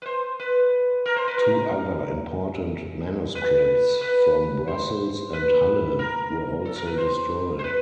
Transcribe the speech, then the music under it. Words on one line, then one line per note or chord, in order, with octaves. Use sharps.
Two other important manuscripts, from Brussels and Halle, were also destroyed.
B4
C5
B4
A#4
C5
B4
A#4
B4
B4
C5
B4
A#4
A4
A#4
B4
C5
C5
B4